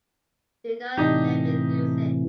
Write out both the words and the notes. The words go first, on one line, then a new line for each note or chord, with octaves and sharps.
Do not let me lose it.
A2 C3 E3 D4 D#4 G4